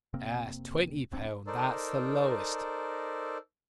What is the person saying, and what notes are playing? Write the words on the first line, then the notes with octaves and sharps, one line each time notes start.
Yes, twenty pound--that's the lowest.
F1 C3 A#3 C4
F1 C#2 C4 D4
D#4 A4 A#4 C5 D5